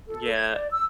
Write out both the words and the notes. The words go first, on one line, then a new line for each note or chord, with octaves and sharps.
Mm yeah.
A4
G#6
D5
E6